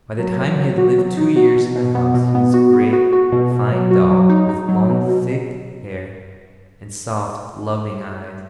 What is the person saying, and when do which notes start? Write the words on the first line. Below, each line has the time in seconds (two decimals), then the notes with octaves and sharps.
By the time he had lived two years in the house he was a great, fine dog, with long, thick hair and soft, loving eyes.
0.19 F#3
0.39 F#3
0.59 F#3
0.78 F#4
0.98 F#3
1.17 D#4
1.36 F#4
1.56 B2
1.76 B2
1.95 B3
2.14 B2
2.35 B3
2.54 F#4
2.73 B3
2.93 F#4
3.13 F#4
3.32 B2
3.52 B2
3.72 F#3
3.91 F#4
4.11 F#3
4.29 D#4
4.49 D#4
4.69 F#3
4.89 B2
5.08 B2